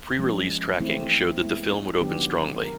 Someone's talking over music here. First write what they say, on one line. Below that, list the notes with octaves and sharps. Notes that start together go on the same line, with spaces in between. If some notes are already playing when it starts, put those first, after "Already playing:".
Pre-release tracking showed that the film would open strongly.
F3 G#3 C#4
E3 A3 C4 E4
G#3 B3 E4
D#3 F#3 B3 D4 G4
A#4